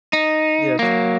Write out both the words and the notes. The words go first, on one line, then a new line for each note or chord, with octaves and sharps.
Yeah, t
D#4
F#3 A#3